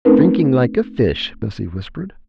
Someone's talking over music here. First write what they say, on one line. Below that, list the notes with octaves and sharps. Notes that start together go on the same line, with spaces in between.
'Drinking like a fish,' Bessie whispered.
A3 C4 C#4 D#4 A#4 B4